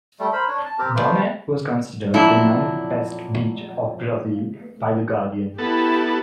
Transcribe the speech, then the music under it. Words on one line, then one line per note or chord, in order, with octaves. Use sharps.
Bonete was considered the ninth best beach of Brazil by "The Guardian".
G3 A3
A#4 C5 B5
D4 C#5
A5
C4 G4 A#4
A3 F4 B4 C5
F2 A#2 F#3 D4 E4
B3 E4 G4 A4